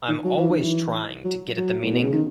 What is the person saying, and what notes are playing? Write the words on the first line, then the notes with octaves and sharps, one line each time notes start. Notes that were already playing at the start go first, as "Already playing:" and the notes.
I'm always trying to get at the meaning.
D#3
F#3
E3
D#3
E3
F#3
F#3
A2
B2
C#3
D#3